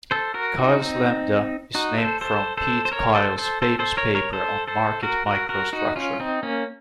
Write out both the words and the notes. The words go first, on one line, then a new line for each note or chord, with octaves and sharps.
Kyle's lambda is named from Pete Kyle's famous paper on market microstructure.
A4 C5
F#4 A#4
D#4 F#4
C4 D#4
D#4 F#4
A4 C5
A4 C5
A4 C5
C5
A#4 C#5
A4 C5
A4 C5
A4 C5
A4 C5
A#4 C#5
A#4 C#5
A4 C5
A4 C5
F#4 A#4
F#4 A#4
F#4 A#4
D#4 F#4
C#4 F4
C4 D#4
A#3 C#4